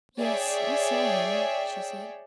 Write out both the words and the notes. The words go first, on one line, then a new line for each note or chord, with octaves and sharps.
"Yes, I saw him," she said.
G#4 C#5 D5 E5 G5